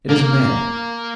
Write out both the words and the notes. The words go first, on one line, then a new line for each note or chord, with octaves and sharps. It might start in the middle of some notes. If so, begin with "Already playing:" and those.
It is a man.
A#3